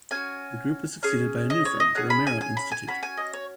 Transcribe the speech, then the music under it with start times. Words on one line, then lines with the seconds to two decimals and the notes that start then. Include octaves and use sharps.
The group was succeeded by a new firm, the Romero Institute.
0.11 C#4 F#4 G#5
1.03 C#4 G#4
1.50 D#5
1.65 C#5
1.80 D#5
1.95 C#4 G#4 F#5
2.10 B5
2.27 G#5
2.41 G#5
2.57 B5
2.71 G#5
2.88 C#4 F#4 B5
3.03 G#5
3.17 D#5
3.33 C#5